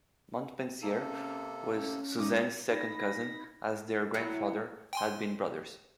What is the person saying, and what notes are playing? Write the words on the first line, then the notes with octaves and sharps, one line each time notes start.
Montpensier was Suzanne's second cousin as their grandfathers had been brothers.
C3 A#3 D#4 A4
C#4
C#4
D2 G#2 D#4 D6 D#6
D#4 B5 A#6
F#3 E4
G5 G#5 C6